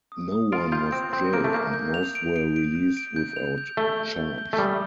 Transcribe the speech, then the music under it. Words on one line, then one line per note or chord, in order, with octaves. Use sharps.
No one was jailed and most were released without charge.
D#6
D#6
F4 D7
F4 G6
C4 D7
C4 G6
A#3 D7
A3
A#3 G6
G6
F7
D7
D7
D7
G6
D7
G6
F7
G6
A3 G7
G6
G6
G6
A3
G3 D#6